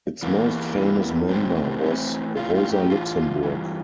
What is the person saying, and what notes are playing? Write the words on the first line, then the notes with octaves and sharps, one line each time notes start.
Its most famous member was Rosa Luxemburg.
E2 E3 A#3
E2 E3
A2 E3 C4
A2 E3
A2 E3 F4
F4
G4
A2 E3 F4
G2 E3